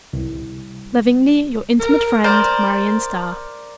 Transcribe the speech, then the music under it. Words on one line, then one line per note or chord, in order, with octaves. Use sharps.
Lovingly, your intimate friend--Marion Starr.
C2
A#4
A#4 C5 D5